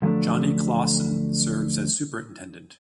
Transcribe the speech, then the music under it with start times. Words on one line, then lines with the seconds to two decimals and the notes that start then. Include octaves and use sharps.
Johnny Clawson serves as Superintendent.
0.02 D2 F3 F#3 A3 D4